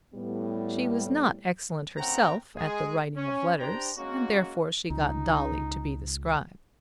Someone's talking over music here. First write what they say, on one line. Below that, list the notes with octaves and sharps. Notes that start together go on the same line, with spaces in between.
She was not excellent herself at the writing of letters, and therefore she got Dolly to be the scribe.
A2 G3 B3
A2 C#3 C4 F#5 G5 A#5
G#3 G#4
C#4
D4 G4 C5 G5 A#5
G#3 A#3 C#4 F#4
C#2 D#4